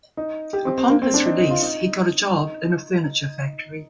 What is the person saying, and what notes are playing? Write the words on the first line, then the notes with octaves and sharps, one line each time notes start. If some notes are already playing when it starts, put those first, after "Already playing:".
Upon his release he got a job in a furniture factory.
D#4
G4
C4
C4
A#3
C4
D4
D#4
D#4
F4
D#4
D#4